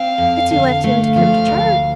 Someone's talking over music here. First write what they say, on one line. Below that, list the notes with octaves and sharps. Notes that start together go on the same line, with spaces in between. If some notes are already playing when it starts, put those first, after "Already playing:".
'But you left him to come to church.'
Already playing: C4 F5
F2
D3
A3
F3 F5
D2